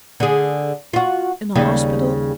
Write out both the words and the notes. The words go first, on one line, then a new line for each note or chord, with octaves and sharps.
"In a hospital?"
D3 G#4
F4 F#4
D#2 C#3 G3